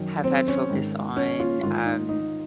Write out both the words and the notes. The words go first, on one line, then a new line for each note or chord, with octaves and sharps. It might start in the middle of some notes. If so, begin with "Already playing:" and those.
have had focus on, um,
Already playing: F#2 D#3
C4
C#4
G#2 D#3
C#4
F4
G#2 D#3 F4
D#4
D#4